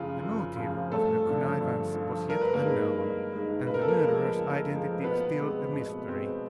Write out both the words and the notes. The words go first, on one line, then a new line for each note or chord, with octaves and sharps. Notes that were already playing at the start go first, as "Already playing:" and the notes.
The motive of her connivance was yet unknown, and the murderer's identity still a mystery.
Already playing: F#2 C#3 F3 F4
F#2
C#3 F3
G2 A3 A4
D3 F3
G2
D3 F3
G2 A#4
B4
A#3 A#4
D#3 G#3
G2
D#3 G#3
C#3 B4
A#4
A4
A#3 A#4
F3 G#3
C#3
F3 G#3
B2 B3 B4
G#3 C4
B2
G#3 C4